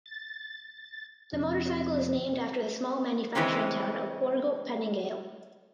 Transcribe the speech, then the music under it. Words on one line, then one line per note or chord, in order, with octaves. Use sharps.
The motorcycle is named after the small manufacturing town of Borgo Panigale.
A6
F2 C3
C#3 E3 G#3 C4 C#4